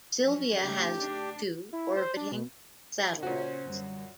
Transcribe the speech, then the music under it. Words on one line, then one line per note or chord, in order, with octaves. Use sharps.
Sylvia has two orbiting satellites.
F3 F#3 C#4
C#3 A3 D#4 G4
D4
E4
C5
D4
B2
A#2 C#3 C#4 F#4 C5
F#2 D3 G3